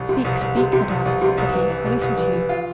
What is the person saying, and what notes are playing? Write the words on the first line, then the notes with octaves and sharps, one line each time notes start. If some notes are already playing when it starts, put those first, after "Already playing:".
"Speak! speak, madame!" said he, "I listen to you."
Already playing: C2
C3
C2
C2
C3
C3
C2
C2
C3
C2
E3
E3
C2
C2
E3
E3
F4